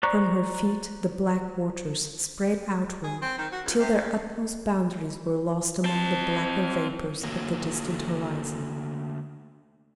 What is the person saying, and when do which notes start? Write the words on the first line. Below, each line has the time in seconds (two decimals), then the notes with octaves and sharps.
From her feet the black waters spread outward, till their utmost boundaries were lost among the blacker vapors of the distant horizon.
0.03 C5 D5 A#5 C#6 F#6
3.04 G#4
3.22 C4
3.38 D#3
3.52 F#4
3.65 C#2
3.79 C3
3.97 C#3
5.84 C4 A5
7.23 D3 A3 A#3 F#4 C#5